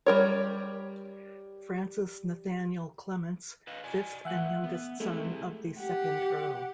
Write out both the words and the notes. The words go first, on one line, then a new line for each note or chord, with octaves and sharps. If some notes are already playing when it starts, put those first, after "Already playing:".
Francis Nathanial Clements, fifth and youngest son of the second Earl.
G3 A#4 C#5
B4 D#5 F5
D5 D#5 G#5
E3 A3 E5 F#5 F#6
B3
G#3 A3 C4 E4 G4
G4 F#5